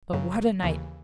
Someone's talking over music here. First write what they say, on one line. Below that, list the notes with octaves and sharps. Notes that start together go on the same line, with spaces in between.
But what a night!
F#2 C#3 F#3
D#2 C#3 E3